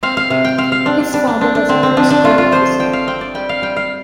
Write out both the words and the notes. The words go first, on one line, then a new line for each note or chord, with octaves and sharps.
His father was a coastguard officer.
C4 F5
F5
C3 F5
G5
C4 F5
F5
C4 D4
D4
G3 D4
D4
C4 D4
D4
D3 C4
C4
F3 D4
D4
A3 F4
F4
F3 C5
F3 G5
F5
C4 G5
D5
G3 G5
F5
G3 G5
F5